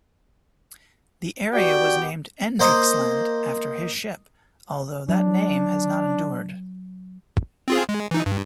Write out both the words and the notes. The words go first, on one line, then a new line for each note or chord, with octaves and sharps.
The area was named "Eendrachtsland" after his ship, although that name has not endured.
B3 F#4 G4 D5 G5
A#3 C5 D#5
F#3 D4
C4 F4 G#4
G#3
E3 D#4
G2